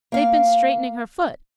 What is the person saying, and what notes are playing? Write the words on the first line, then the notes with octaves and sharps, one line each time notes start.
They've been straightening her foot.
A#3 F5